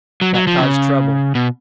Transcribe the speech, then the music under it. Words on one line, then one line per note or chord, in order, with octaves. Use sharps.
That caused trouble.
F#3
F#3
F3
C#3
B2